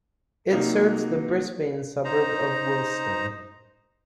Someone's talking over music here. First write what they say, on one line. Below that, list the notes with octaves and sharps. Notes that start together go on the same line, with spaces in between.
It serves the Brisbane suburb of Wilston.
C3 F#3 A#3 D#4
D#4 C5 A#5